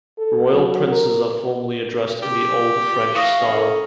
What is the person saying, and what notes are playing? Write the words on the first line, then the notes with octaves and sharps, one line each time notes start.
Royal princes are formally addressed in the old French style.
A4
F#3
A#4
G4
E3 F5 C#6 D#6 A#6
C#4
A4 A#4